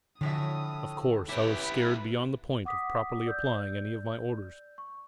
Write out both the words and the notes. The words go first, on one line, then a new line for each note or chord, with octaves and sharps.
Of course, I was scared beyond the point of properly applying any of my orders.
A2 D3 F3 E5 D#6
C#4 E4 G4 B4
F#5 D6 D#6 B6
D5 E6 G6
C#6